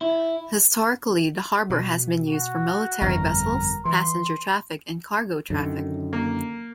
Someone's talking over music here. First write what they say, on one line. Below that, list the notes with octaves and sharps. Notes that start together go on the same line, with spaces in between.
Historically, the harbour has been used for military vessels, passenger traffic and cargo traffic.
E4
B2
F#4
G1 F2 G3 A#4
E3 C6
F#2 D3 D#3
A#3